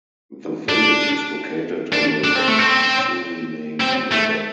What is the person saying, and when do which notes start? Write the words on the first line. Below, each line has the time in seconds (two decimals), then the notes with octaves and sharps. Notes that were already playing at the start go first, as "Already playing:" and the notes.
The village is located on the Suriname River.
0.69 D4
1.93 D4
2.24 D4
2.36 C4
2.48 A3
2.59 C4
3.80 C4
4.12 A3